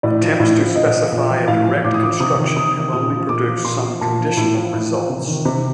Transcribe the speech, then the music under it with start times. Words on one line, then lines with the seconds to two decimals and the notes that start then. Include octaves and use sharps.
Attempts to specify a direct construction have only produced some conditional results.
0.03 A2 D5
0.22 F3
0.40 A2
0.58 F3
0.76 A#2 D#5
0.94 F3
1.12 A#2
1.30 F3
1.48 A2 F5
1.66 F3
1.84 A2 D6
1.94 D#6
2.03 F3 D6
2.20 C3 D#6
2.39 D#3
2.56 C3 D#6
2.75 D#3
2.93 A#2 D#6
3.10 F3
3.29 A#2 D6
3.47 F3
3.65 A#2 C6
3.83 F3
4.01 A#2 A5
4.19 F3
4.37 A2
4.55 F3
4.73 A2
4.91 F3
5.10 C3
5.27 D#3
5.45 C3